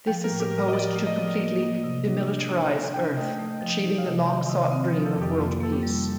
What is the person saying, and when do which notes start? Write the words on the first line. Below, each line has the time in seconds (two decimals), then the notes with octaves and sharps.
This is supposed to completely demilitarize Earth, achieving the long-sought dream of world peace.
0.07 F3 G5
0.24 A#4
0.30 A2
0.40 G4
0.52 A2
0.58 A#4
0.68 D#5
0.73 F3 D5
0.96 A3
1.07 D#5
1.18 F3
1.40 A#3
1.62 A#3
1.84 C3
2.06 D4
2.29 D4
2.50 D4
2.73 A4
2.94 D4 G5
3.17 A3 D#5
3.39 A3
3.61 F3
3.83 D#4
3.98 F5
4.06 C3 D#5
4.27 D#3 D#5
4.49 C3 D#5
4.66 F5
4.71 C4 D#5
4.93 F3 A#4
5.06 A4
5.16 F2
5.21 G4
5.38 A#3 F4
5.61 A#3 A4
5.72 G4
5.83 G3